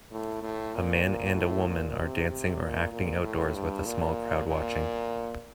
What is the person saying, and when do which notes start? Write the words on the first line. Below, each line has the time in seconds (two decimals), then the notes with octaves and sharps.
A man and a woman are dancing or acting outdoors with a small crowd watching.
0.12 A2
0.43 A2
0.75 A#2
1.05 A#2
1.36 A2
1.68 A#2
2.00 C3
2.30 C3
2.62 A#2
2.92 A#2
3.23 A2
3.55 G2
3.86 A#2
4.48 A#2